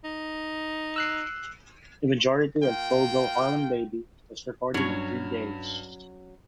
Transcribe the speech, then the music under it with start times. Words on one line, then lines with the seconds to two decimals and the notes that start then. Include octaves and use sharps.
The majority of "Go Go Harlem Baby" was recorded in three days.
0.04 D#4
0.96 E6 F#6 C7
2.63 A#3 F4 G5
4.74 G2 F#3 C#4